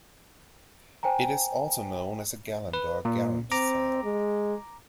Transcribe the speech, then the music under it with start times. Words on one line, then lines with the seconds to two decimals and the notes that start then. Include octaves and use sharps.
It is also known as a gallant or garrant sail.
1.03 C5 G5 G#5 A#5
2.73 B4
3.05 A#2
3.52 C4 A#5 D6
4.04 G#3